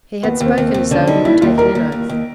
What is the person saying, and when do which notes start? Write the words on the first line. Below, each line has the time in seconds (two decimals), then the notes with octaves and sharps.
He had spoken as though he were taking an oath.
0.23 D#2 B3
0.40 D#2 C4
0.58 D#2
0.68 C4
0.74 D#2
0.91 D3 C#4
1.07 G3 D#4
1.25 D#2 E4
1.41 D#2 F4
1.58 G3 A#4
1.75 D#2
1.92 D#2
2.09 D#2